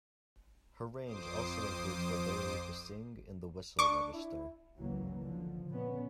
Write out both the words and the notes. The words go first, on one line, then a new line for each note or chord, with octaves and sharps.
Her range also includes the ability to sing in the whistle register.
F2 C5 D6 D#6 C7
D4 C#6 D6
E4
G1 C#2 E3 F#3 A#3
D3 F3
A#2 D3 B3 C#4